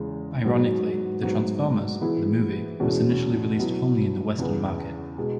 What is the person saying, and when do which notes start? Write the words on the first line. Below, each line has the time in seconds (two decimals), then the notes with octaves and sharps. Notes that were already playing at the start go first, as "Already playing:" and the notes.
Ironically, "The Transformers: The Movie" was initially released only in the Western market.
Already playing: E2 C#3 G#3
0.44 G#2 F#3 B3 F#4
1.23 G#2 F#3 B3 F#4
2.01 E3 B3 E4 G#4
2.80 E2 B2 G#3 C#4 F#4
3.59 B2 F#3 B3 E4
4.38 E2 C#3 E3 B3
5.18 B2 G#3